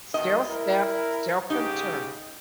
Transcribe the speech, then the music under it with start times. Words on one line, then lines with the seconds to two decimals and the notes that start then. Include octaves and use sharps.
Still stiff, still couldn't turn.
0.14 B2 D#3 D#5
0.47 E4 A#4
1.50 G#2 C#3 D#4 G4